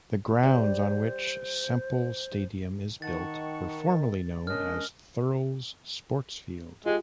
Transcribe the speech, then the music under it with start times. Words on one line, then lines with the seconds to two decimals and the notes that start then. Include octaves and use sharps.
The grounds on which Semple Stadium is built were formerly known as Thurles Sportsfield.
0.43 G3 C5
3.02 D#3 F#5 A5 C#6 A6
4.47 G#3 C#4 D4 A#4 D#5 F6
6.86 G#3 F4 G4